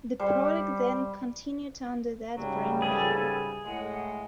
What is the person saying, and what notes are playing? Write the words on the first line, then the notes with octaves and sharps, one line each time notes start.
The product then continued under that brand name.
G3 C5
G#2 C#3 F#3 G3
G#4 A4 B4
A2 G#3 F#5